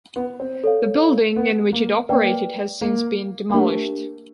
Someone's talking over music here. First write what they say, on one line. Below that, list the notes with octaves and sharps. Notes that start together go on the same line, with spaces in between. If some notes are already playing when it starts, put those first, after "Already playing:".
The building in which it operated has since been demolished.
B3
C4
A4 C#5 F5
B3
A#3
A#3 B4 D5 G5
A#3
A#3
A3 D4 G4 A#4